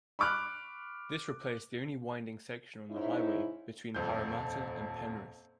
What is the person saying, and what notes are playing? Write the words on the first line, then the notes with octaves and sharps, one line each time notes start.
This replaced the only winding section of the Highway between Parramatta and Penrith.
B5 C#6 D6 F6 F#6
G#2 C#4 D#4 E4
D#1 F2 G6